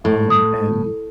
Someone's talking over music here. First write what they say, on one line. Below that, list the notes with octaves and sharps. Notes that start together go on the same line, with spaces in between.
Um, and,
A2
D#6